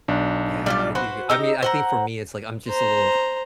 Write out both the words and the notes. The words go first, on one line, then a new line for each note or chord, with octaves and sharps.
Yeah, I do th I mean, I think for me, it's like, I'm just a little
B1 D4
G3 F4 D5
F#4 B4 C5
D#4 G4 A#5 E6
C5 F#5 A#5
C5 A#5